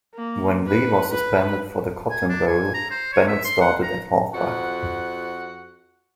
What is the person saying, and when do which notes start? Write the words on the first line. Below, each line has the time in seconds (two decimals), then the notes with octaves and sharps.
When Lee was suspended for the Cotton Bowl, Bennett started at halfback.
0.15 A#3
0.67 B4
1.12 B4
2.10 G#5
2.29 D4
2.47 G#5
2.74 A#5
2.91 C5
3.13 C#5
3.28 E5
3.45 C6
3.61 F#5
3.83 A#5
4.34 F2 F#4 F#5